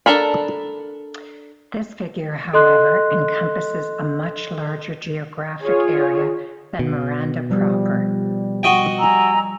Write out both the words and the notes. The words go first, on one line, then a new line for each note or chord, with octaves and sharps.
This figure, however, encompasses a much larger geographic area than Miranda proper.
D4 A4 A#4 B5
A4 D#5 C6 F#6
F4 G#4 C#5
B2
F3 G3
F#4 D#5 G5
G#5 A#5 E6